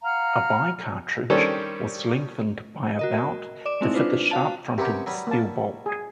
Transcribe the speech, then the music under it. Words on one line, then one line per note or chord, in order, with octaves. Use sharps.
A by cartridge was lengthened by about to fit the sharp-fronted steel bolt.
F5 F#5 A#5 F6
D#3 G3 C#4 D4 A4 C5
F#4 A#4 D#5
D5 D6 E7
G#3 A3 C4 D#4 E4
D4 F4 B4 C5
F#4 F5 A5
C3 B3 C#4 G4 A#4
F#3 G3 B4
A#3 A5
G#4